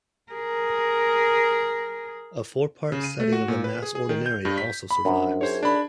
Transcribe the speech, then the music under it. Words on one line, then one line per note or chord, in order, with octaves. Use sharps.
A four-part setting of the Mass Ordinary also survives.
G#4 A#4
C#3
D#7
A3
F#4
A#2
B4
G#4
G#4
D#3
G6
G2
B6
B5
F#2 D4 C5
D#4 G#4 C5 C#5 G#6
D4 B5